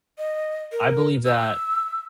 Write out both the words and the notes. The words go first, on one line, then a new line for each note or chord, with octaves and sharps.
I believe that,
D#5
A#4
E6